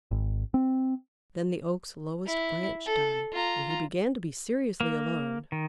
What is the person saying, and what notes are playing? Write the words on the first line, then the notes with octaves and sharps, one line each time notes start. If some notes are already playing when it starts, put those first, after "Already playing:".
Then the Oak's lowest branch died, and he began to be seriously alarmed.
G#1
C4
E4
A4
F4 A#5
A#3
D#3